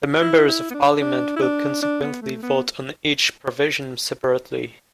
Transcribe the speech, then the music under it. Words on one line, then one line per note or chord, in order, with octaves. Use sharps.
The members of parliament will consequently vote on each provision separately.
E4
E4
B3
D4
D4
E4
D4
D4
B3
A3
B3